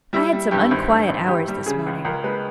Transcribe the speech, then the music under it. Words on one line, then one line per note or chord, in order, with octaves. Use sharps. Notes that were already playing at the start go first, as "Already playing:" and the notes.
I had some unquiet hours this morning.'
G3 E4
G3
G2 G4
G#1
G2
G#1
G#1 G4
G3
C#3 G#4
C#2
C#2 A#4
G#3 B4